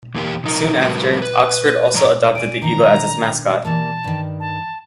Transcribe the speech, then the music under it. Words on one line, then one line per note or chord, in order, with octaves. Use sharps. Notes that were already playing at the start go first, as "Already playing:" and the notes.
Soon after, Oxford also adopted the eagle as its mascot.
E2 A#3 G4
C3 F3 D#4 A#4
C#3 F#3 G#3 F#4 A#4 B4
B4
G#2 F3 C#5 A#5
D5 G#5 D7
D#3 F3 D4 A#5
E3 G3 A#3 A5
G2 D#3
A5